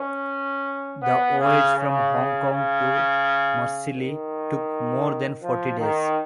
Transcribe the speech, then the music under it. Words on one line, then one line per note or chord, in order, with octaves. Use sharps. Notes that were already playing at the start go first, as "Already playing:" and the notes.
The voyage from Hong Kong to Marseille took more than forty days.
Already playing: C#4
B3
C#3
C#3
C#3
D#3
F3
D#3